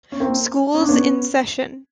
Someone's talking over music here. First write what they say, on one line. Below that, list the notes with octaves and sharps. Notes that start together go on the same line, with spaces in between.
School's in session.
C#4
A#3 C4
C#4
D4
B3 C#4